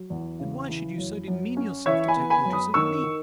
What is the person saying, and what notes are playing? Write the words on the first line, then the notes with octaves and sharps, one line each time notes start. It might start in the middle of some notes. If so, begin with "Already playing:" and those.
And why should you so demean yourself to take notice of me?
Already playing: F#3
E2
C#3
E3
F#2
F#2
C#4
E3 C#5 E5
G#5 B5
B3
G#5 B5
F#2
B5 D#6
D#3 C#6 E6
D#3